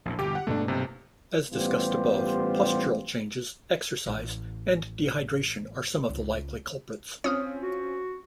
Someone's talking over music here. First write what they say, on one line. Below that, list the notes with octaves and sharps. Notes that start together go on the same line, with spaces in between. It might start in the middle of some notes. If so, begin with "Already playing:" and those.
As discussed above, postural changes, exercise, and dehydration are some of the likely culprits.
A#1 E2 A#2
G1 E2 B2 G4
F#5
G2 B2 A3 A#3 D4
B1 C3
A1 G3 B3 F4 G4 C5
A1
C#2
C4 C#4 F4 C#5 D#6 F6
F#4